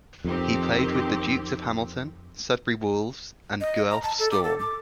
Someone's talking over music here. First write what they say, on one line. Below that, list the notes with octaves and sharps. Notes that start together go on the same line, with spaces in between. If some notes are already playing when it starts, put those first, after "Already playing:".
He played with the Dukes of Hamilton, Sudbury Wolves and Guelph Storm.
F2 D#3 C4 G4
D#5
A#5
A5
A4
D6
A4
D6